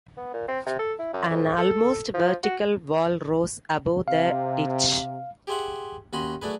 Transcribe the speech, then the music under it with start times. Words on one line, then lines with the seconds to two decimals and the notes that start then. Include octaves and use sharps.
An almost vertical wall rose above the ditch.
0.17 B3
0.34 A#2
0.48 C4
0.66 C3
0.79 A4
0.99 E4
1.13 F#2
1.30 F2
1.58 A4
2.14 F3
2.44 F#4
4.08 C3 F5
5.47 G4 G#4 C5 E5 F#5
6.13 D#2 C#4 F#4 D#5 B5 C6
6.42 F#3 A3 D4 G#4 B4